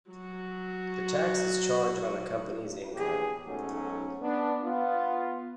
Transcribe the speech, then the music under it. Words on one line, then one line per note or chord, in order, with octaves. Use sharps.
The tax is charged on a company's income.
F#3 F#4
A#1 E2 A2 G4 G#4
B1 G#2 F#3 A3 C#4
B3 D4
B3 F4